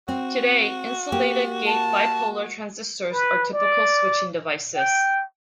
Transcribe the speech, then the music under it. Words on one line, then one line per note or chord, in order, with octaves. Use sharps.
Today, insulated gate bipolar transistors are typical switching devices.
C4 F#4
A#3 G4
A5
B4
D5
G5